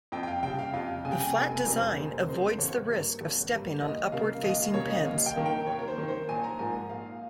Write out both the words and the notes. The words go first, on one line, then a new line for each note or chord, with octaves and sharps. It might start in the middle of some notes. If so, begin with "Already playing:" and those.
The flat design avoids the risk of stepping on upward-facing pins.
F2 G5
G5
F5
C#3 G3 G5
F5
F2 F5
C#3 G#5
G3 G5
G#5
F1 G#5
G#5
F2 C#3 G3 A#3
C5
F1 A#4
F2 C#3 G3 A#3 C5
G#1 C#5
G2 G3 A#3
G#1
G2 G3 A#3
D#2 D#5
C#3 G3 A#3 F5
D#2 D#5
F5
C#3 G3 A#3 C#5
D#5
D#2 F5
G5
D#3 A#3
G5
D#2 C#5
A#4
C5
D#3 A#3
C5
A#1 G#5
A#5
G#2 F3 A#3 G#5
A#1 F5